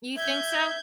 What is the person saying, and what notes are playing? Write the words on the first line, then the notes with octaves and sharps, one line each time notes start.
You think so?
E5 G6 G#6